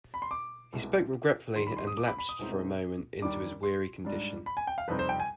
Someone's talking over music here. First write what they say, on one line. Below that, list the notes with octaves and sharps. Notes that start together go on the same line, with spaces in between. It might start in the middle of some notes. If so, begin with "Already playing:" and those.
He spoke regretfully and lapsed for a moment into his weary condition.
B5
C6
D6
C2 B2 G#3
D#2 D#3 G3 C6
B5
C6
D#6
D6
B5
B5
D#6
C2 B2 G#3 C4 D#4
D#2 D#3 G3 D4 D6
C6
G#2 G3 D4
B5
G#5
G5
F5
F2 C3 G3 C4 D#4 B4
C5
G5
G#5